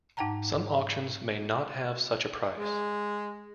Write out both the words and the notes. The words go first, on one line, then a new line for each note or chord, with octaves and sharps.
Some auctions may not have such a price.
G#2 D#4 F#5 G5 A5 A#5
G#3